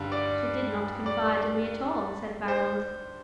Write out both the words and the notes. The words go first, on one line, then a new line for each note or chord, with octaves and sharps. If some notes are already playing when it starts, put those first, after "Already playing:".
"She did not confide in me at all," said Barold.
Already playing: G2 D3 G3 F5
D5
D5
C5